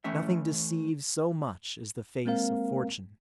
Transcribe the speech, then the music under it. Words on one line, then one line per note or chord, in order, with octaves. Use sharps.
Nothing deceives so much as the face of fortune.
E3 A3 C#4 E5
G#3 A#3 C4 A#4 F5